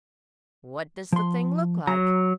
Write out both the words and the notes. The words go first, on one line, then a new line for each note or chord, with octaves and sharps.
"What does the thing look like?"
F3 C6
F#3 A#5